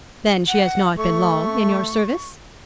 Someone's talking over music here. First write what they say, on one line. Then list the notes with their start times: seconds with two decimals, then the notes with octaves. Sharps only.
"Then she has not been long in your service?"
0.48 F#5
0.98 A3 C#6